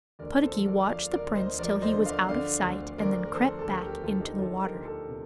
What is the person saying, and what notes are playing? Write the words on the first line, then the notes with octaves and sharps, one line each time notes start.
Puddocky watched the Prince till he was out of sight and then crept back into the water.
D2 A#4 D5
A4 C5
F3
A#4 D5
F3 D5 F5
A#4 D5
D2
C5 D#5
F3 A#4 D5
C5 D#5
D3
D5 F5
D3 D5 F5
D2
D2 A#4 D5
A#4
F3 A4 C5
A4
D2 G4 A#4
G4 A#4
D2 F4 A4
D#4 G4
D2 F4 A4
G4 A#4
D2
F4 A4
C3